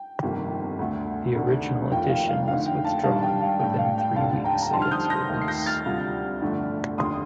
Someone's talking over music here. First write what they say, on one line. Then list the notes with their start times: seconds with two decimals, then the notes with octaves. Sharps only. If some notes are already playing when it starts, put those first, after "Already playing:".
The original edition was withdrawn within three weeks of its release.
Already playing: G5
0.23 G1 F2 C3 D#3 A#3
0.79 D2 D3 A3
1.35 D2 C3 D#3 A3 D4
1.91 F1 F2 D#3 A#3 F4 G5
2.09 F5
2.29 F5
2.47 F2 D3 A3 D#4 F5
2.66 G5
2.85 F5 A5
3.04 G2 D#3 G3 D4 F5 A5
3.23 G5
3.42 F5
3.60 A2 G3 D4 G5
3.78 F5
3.98 G5
4.16 F1 D#2 D3 F5 A5
4.44 G5 A#5
4.62 A#5
4.72 F2 D3 G3 C4 D#4 A5 C6
4.82 F6
4.91 D#6 G6
5.10 G6 A#6
5.29 D#2 D#3 A3
5.41 C7
5.48 G6 A#6
5.66 F6 A6
5.85 D2 C3 G3 D4 F4
6.42 G1 F2 D3 A3 D4
6.97 F1 D#2 D3 C6 D#6